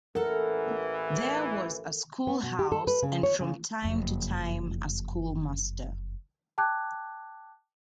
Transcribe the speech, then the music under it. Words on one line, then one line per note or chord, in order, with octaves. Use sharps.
There was a school-house and from time to time a schoolmaster.
A1 E3 A4 A#4 F#5
B3
B2
G4
A4
B4
C#3
C#5
C#3
F#1 F2
G5 A5 D6 F#6 G#6